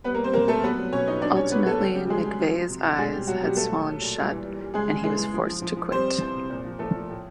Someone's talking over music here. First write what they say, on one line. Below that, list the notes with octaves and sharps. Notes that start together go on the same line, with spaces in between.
Ultimately McVey's eyes had swollen shut and he was forced to quit.
G3 B3 B4
A#3 A#4
G3 C4 C5
A#2 A#3 A#4
G3 A3 A4
F#3 B3 B4
F#3
B2 C#4 C#5
F#3 D#4 D#5
A#2 D4 D5
G3 C#4 C#5
A#2 B3 B4
G3 A3 A4
C#3 G3 G4
C#3 G3 G4
F#3 G#3 G#4
F#3
F3
F3
C3
C3
B2 G#3 G#4
F#3 G3 G4
B2 F#3 F#4
B2 G3 G4
F#3 A3 A4
F#3
F#3
A#2
G3
E3
G3
G3
C#3 G#3 G#4
C#3
E3 G#3 G#4
E3
F3
F3
F3
F3
G3 C4 C5
G3
E3
C3
A#2
F3
F3 A3 A4
F3
A2